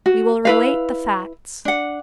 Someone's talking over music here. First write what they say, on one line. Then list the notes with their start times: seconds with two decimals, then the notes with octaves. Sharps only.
We will relate the facts.
0.06 F#4
0.45 E4 B4 F5
1.65 D4 F#5